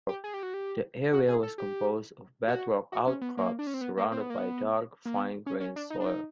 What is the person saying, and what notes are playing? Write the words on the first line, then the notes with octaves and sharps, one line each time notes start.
The area was composed of bedrock outcrops surrounded by dark, fine-grained soil.
G4
G#4
G4
F#4
G4
F#4
G#4
A4
G4
F#4
F#4
C#4
B3
A#3
D4
C#4
C4
B3
A#3
C4
B3
A#3
B3
A#3
B3
C#4
C#4
D4
D#4
D4
D#4